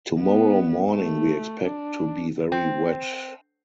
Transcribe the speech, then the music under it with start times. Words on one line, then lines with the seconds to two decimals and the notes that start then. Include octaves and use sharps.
Tomorrow morning we expect to be very wet.
0.18 B3
0.93 A3
1.63 D4
2.52 C4